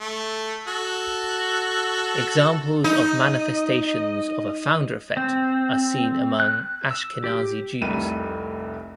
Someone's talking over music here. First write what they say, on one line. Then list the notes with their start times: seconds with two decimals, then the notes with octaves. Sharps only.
Examples of manifestations of a founder effect are seen among Ashkenazi Jews.
0.01 A3
0.67 F#4 A4
2.84 D#4 D#5
5.17 C4
6.40 F#6
6.91 E6
7.24 G4
7.81 F1 C2 G3 A3 A#4 D#7